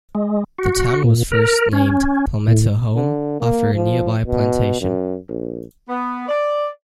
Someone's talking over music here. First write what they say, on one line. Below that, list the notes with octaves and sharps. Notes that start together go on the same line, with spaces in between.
The town was first named Palmetto Home, after a nearby plantation.
G#3
F#4
A#2
A#4
C#4
A2
D3
A#3
F3
B2
F#2
A#1
B3
D5